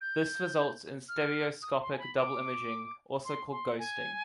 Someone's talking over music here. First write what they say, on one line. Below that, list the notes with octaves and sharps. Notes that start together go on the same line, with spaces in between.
This results in stereoscopic double imaging, also called ghosting.
G6
F6
D#6
C6
G#5
B5
D6
C6
C6
G#5